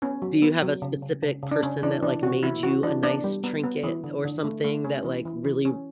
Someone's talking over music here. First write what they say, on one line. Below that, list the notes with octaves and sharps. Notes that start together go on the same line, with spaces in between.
Do you have a specific person that, like, made you a nice trinket or something that, like, really
B3 C#4
F#3
B3
F#3
C#3
C#3
C#3
C#3
D4
C#3 C#4
E3 D4
E3 D4
C#3 F#4
E3 E4
E3 F#4
E3 D4
B3 D4
G3
B3
B3
E3
D3
D3
A3
A3
C#4
E3
E3
E3
C#4